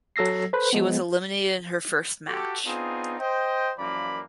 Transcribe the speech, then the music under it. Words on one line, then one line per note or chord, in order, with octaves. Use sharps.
She was eliminated in her first match.
F#3 A4 E6 A#6 C7
A4 B4 C5
F3 G#3 B3
F#4 G4 A4
B3 C4 D4 D#4 F4 G#4
C5 D#5 G5
F#2 E3 F3 A#3 D5 B5